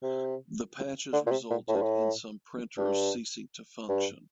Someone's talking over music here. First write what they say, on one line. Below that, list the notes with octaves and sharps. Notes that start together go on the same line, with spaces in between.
The patches resulted in some printers ceasing to function.
C3
D3
A#2
C3
A#2
A2
G2
A2
G2
G2